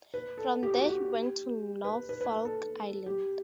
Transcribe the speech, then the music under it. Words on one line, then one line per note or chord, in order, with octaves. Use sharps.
From there he went to Norfolk Island.
B4
A4
G4
F#4
G4
B4
B4
B4
B4
A4
G4